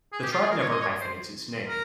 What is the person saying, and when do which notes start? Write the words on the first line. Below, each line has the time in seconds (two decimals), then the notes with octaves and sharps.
The tribe never hyphenates its name.
0.13 G#4
0.23 G4
0.32 F4
0.42 G#4
0.51 A#4
0.61 C#5
0.71 D#5
0.81 C#5
1.01 C5
1.68 A#4